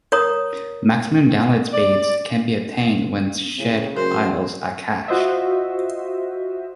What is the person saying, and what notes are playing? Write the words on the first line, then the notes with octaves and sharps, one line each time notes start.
Maximum download speed can be attained when shared files are cached.
A#4 C#5 A#5 D#6
D5
A2 C#3
F#2 A#4 C5
F4 F#4 C5 D#5 E5